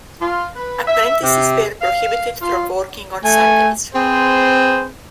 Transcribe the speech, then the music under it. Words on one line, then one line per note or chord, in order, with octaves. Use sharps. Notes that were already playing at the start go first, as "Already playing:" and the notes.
Apprentices were prohibited from working on Sundays.
F4
B4
E5
C3
F5
F4
A3 G#5
C4 G#4 B4 C5